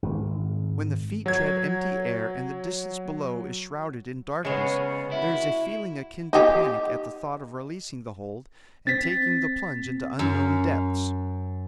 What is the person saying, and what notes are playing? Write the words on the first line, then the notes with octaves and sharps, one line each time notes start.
When the feet tread empty air and the distance below is shrouded in darkness there is a feeling akin to panic at the thought of releasing the hold and taking the plunge into unknown depths.
G#1
F#3 G#6
C#3 G#3 B3 C#5
E4 F#4
D#4 G4
C4 A6 B6
F#2